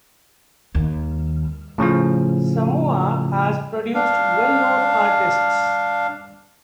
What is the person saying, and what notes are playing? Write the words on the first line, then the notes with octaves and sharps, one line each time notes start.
Samoa has produced well-known artists.
D#2
A2 C#3 F3 C#4
D4 F5